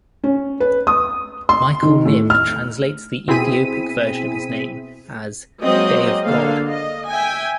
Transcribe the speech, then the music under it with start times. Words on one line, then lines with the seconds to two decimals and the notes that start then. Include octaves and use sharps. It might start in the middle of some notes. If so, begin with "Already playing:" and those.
Michael Knibb translates the Ethiopic version of his name as "Day of God".
0.24 C#4
0.60 B4
0.87 D#6
1.49 C6
1.83 D#3
2.05 A2
2.30 F6
3.28 B2 C4 E4 G#4 B6 D#7
5.62 F#3 G#3 A#3 C4 D#5
6.25 D3 A#3 A4 F5
6.68 D#5
7.08 E5 G5 G#5